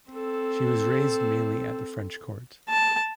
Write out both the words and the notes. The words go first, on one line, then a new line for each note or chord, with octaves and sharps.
She was raised mainly at the French court.
C4 A4
A5